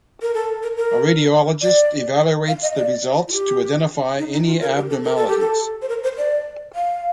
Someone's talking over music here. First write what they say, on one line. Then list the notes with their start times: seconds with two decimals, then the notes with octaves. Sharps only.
A radiologist evaluates the results to identify any abnormalities.
0.22 A#4
0.34 A4
0.63 A#4
0.77 A#4
1.62 D5
2.48 F5
2.62 D#5
2.77 D5
3.28 F4
3.33 G4
4.19 D#4
4.33 D#4
4.47 F4
4.61 A#4
4.76 G4
4.90 A4
5.04 A#4
5.16 A4
5.28 G4
5.39 A4
5.82 C5
5.89 A#4
6.04 C5
6.18 D5
6.75 F5